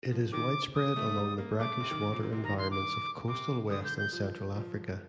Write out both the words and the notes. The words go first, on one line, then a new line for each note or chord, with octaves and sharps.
It is widespread along the brackish water environments of coastal West and Central Africa.
F3
D#3 D6
D#6
A3
A3
G3
A#3
A3 D6
A3
C3
D#3
D#3
A#2
A#2
C3
D#3 A#5
C6
D6
C3 D6
D3 D#6
G6
G6
F3
F3